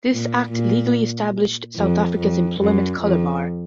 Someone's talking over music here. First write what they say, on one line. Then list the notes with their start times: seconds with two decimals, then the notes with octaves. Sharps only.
This act legally established South Africa's employment colour bar.
0.11 A#2
0.52 A#2
1.77 F2
2.19 F2
2.60 F#2
3.02 F2